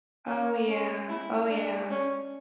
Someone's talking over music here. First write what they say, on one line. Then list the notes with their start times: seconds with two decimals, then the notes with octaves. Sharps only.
Oh, yeah oh, yeah.
0.27 C#4
0.68 C#4
1.09 E4
1.50 D4
1.90 C#4